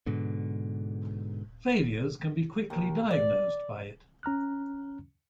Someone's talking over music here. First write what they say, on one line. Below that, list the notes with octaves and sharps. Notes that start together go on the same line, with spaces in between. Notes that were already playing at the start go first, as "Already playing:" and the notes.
Failures can be quickly diagnosed by it.
G#2 B2 D3
D#2
D5
C#4 A#5 F6 F#6